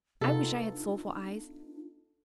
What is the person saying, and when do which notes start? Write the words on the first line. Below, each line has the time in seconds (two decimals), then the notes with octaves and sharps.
I wish I had soulful eyes.
0.21 C3 B3 D4 D#4 F4 A4